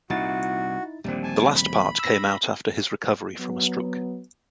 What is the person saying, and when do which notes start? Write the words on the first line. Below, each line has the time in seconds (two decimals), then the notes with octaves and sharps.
The last part came out after his recovery from a stroke.
0.10 C2 A#2 D#4 E4 F#4 A6
1.05 A#1 D#2 D3 G3 C4
1.23 G#5 A5
1.55 B5
1.99 E6 A#6
3.39 F#3 B3